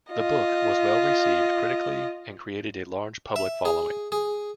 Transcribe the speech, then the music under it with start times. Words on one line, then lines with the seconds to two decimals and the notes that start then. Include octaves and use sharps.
The book was well received critically and created a large public following.
0.12 F4 D#5
3.36 E5
3.65 G#4
4.12 G#4